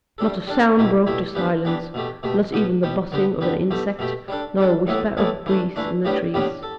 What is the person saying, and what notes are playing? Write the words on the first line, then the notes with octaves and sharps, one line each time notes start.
Not a sound broke the silence, not even the buzzing of an insect, nor a whisper of breeze in the trees.
G3 D4 A4
G3 D4 A4
B2 A3 E4 G4
B2 A3 E4 G4
E3 B3 D4 G4
E3 B3 D4 G4
B2 A3 G4
B2 A3 G4
B2 B3 G4
B2 B3 G4
D3 B3 G4
D3 B3 G4
B2 A3 G4
B2 A3 G4
G3 D4 A4
G3 D4 A4
A2 E3 B3 E4 A4
A2 E3 B3 E4 A4
E3 A3 D4
E3 A3 D4
A2 G3 B3 D4 G4
A2 G3 B3 D4 G4
A4